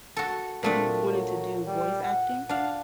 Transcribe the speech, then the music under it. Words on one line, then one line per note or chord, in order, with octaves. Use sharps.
you wanted to do voice acting?
F#4 A4
A#2 A3 C4 D4
F#3
G3
F#5
D4 F5 F#5